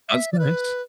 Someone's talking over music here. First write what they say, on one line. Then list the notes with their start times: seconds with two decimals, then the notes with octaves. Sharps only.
That's nice.
0.09 E5
0.33 D5
0.39 B4